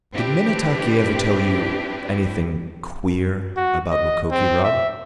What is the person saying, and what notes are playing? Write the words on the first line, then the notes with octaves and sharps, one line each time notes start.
"Did Minnetaki ever tell you--anything--queer--about Mukoki, Rod?"
C4 D4 E4 G4 B4
F#4
D#5
C4
E5